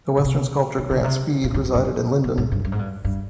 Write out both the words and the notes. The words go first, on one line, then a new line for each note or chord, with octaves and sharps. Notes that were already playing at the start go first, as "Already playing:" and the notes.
The western sculptor Grant Speed resided in Lindon.
A#2
C3
D#3
D3
A#2
C3
A#2
G#2
G2
G2
F2
G2
G#2
G2
G2
G#2
G2
G2